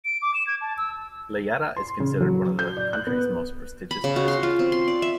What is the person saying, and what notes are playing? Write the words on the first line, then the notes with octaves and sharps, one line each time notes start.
Leyada is considered one of the country's most prestigious high schools.
D7
D6
E7
G#6
A5
E6
C6
C#3
F#3
G6
D5
F#6
B3
B5
C#3
F#4
C6
F4
C4
C6
D5
E5